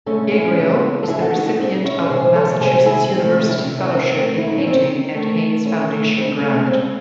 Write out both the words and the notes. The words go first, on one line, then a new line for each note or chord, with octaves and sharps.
Gabriel is the recipient of Massachusetts University Fellowship in Painting and Haines Foundation Grant.
C#3 G#3 A3 C#4
C#4 E4
C#3 G#3
A4
C#3 G#3 E4 G#4
F#4 A4
D#4 F#4
D#4 F#4
C#3 G#3 C4 D#4
C#4 E4
C#5
C3 D#3 G#3 G#4 C5
A4 C#5
C3 D#3 G#3 G#4 C5
E4 G#4
C3 D#3 G#3 C4
A3
A3
C#4 E4
C3 D#3 G#3
C#4
C4
D#3 A3 C4
E4
D#4
C#4
D#3 A3 C4 D#4
D#3 A3
D#3 A3 C#4 E4
A3
C#3 G#3 C4
A3
C#3 G#3 C4